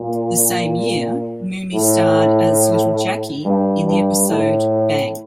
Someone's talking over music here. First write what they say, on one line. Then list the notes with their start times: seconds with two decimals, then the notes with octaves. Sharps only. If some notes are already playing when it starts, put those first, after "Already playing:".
The same year, Mumy starred as little Jackie in the episode Bang!
Already playing: A#2
1.74 A2
3.44 G2
3.87 G2
4.29 A2